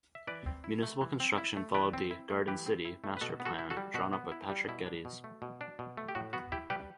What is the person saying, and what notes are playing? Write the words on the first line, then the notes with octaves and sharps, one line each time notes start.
Municipal construction followed the "garden city" master plan drawn up by Patrick Geddes.
E5
E3 B4 D5
C4
E4
A3
E3
C4
E4
A3
E3 B4 D5
C4
E4
A3
E3 G4 B4
C4
E4
A3
B4
B2 F#4 A4
B3
F#4 A4
E4
F#4 A4
G3
B2 F#4
B3
E4
G3
B2 E4
D4
B2
A3
B2
D4
B2
A3
G4
A2 F#4
B3 F#4
E4 G4
G3 G4 B4